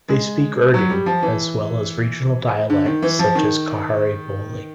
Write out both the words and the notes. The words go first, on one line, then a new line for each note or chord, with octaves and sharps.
They speak Urdu, as well as regional dialects such as Khari boli.
G#3
F#3
G3
F3
E3
D3
D#3
E3
F3
D#3